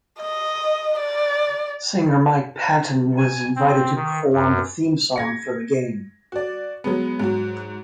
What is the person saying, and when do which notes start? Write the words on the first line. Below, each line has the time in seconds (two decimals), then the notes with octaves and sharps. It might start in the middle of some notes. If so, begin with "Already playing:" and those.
Singer Mike Patton was invited to perform the theme song for the game.
0.21 D#5
1.00 D5
3.18 G#5
3.56 C4
3.95 D#3
4.33 F#2
5.16 G#6 A#6 C#7
6.32 F#4 D5
6.84 F#3 G#3 B3
7.19 G#2 F#3 F#4